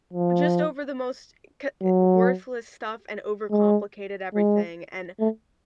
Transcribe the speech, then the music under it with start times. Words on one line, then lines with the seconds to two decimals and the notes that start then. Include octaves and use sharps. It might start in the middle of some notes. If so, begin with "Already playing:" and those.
just over the most co worthless stuff and overcomplicated everything and
0.13 F3
1.82 F#3
3.51 G#3
4.34 G#3
5.19 A3